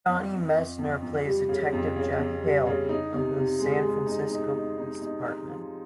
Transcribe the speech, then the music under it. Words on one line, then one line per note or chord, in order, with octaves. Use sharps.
Johnny Messner plays Detective Jack Hale of the San Francisco Police Department.
F2
F2
F2
F2
F2
G3
C#3
F2
C#3
F2
G3
C#3
D#4
C3
C3
G#3
G#3
D#4
D#4
D#4
D#4
D#4
D#4
F3